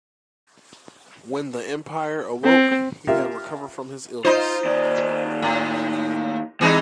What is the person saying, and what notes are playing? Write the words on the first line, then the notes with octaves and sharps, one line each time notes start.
When the emperor awoke, he had recovered from his illness.
C4
F4 G4 A#4 E5
D#4 F4 C5
D#2 D5
A2
C3 E3 G#3 C4 D#4